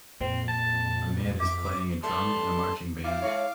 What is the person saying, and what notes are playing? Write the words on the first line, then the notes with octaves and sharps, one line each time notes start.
A man is playing a drum in a marching band.
F2 A#2 C4
A5
E5 D6
G3 A3 B3 A5 C6
F3 E4 F5 D6
G#3 E4 C#5